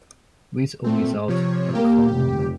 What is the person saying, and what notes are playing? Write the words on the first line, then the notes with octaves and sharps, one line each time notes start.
With or without accompaniment.
A#2 A3 C4
C3 F3 C#5
A#3 G4
F1